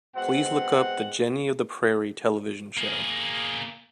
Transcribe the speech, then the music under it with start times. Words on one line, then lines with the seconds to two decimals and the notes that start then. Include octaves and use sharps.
Please look up the Jenny of the Prairie television show.
0.16 B2 G#3 C4 F#5
2.78 A#3 G#4